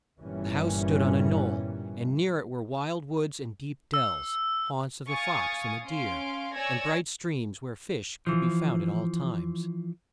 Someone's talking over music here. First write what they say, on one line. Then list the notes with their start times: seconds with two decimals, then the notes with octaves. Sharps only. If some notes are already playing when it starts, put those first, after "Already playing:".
The house stood on a knoll, and near it were wild woods and deep dells, haunts of the fox and the deer, and bright streams where fish could be found at all times.
0.20 G1 A#2 E3 G3 C#4
3.94 E6
5.08 F5 G#5 C#6 D#6 A6
5.86 C#4 F5 C6 D7
6.55 C#5 D5 G#5 E6 G#6 A#6
8.27 E3 F3